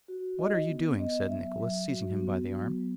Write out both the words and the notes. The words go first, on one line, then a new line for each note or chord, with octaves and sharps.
'What are you doing?' said Nicholas, seizing him by the arm.
F#4
D#4 D#5
B3
B3 D#5
F#3 E5
F#3
F#4
B3
F#3
F#3